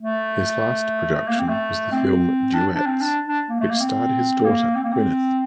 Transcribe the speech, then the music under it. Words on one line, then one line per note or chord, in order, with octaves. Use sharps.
His last production was the film "Duets", which starred his daughter, Gwyneth.
A3
A#3
C4
A3
C4
D4
D4
C4
D4
D4
A#3
A3
A#3
C4
A#3
C4
A#3
C4